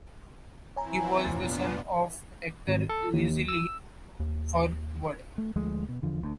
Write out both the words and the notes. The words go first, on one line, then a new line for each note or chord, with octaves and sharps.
He was the son of actor Leslie Howard.
E3 C4 E4 C#5 G#5 A#5
F1 A#2 B3 D4 F4 A6
G#1
A4
D#2
E6
D#2
A3
D2 F3 G#3 A3
B2
E2 D3 F3
D2